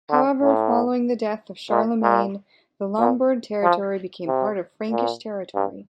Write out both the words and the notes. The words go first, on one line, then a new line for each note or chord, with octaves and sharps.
However, following the death of Charlemagne, the Lombard territory became part of Frankish territory.
D3
A2
A#2
A#2
A#2
F3
C3
A#2
G2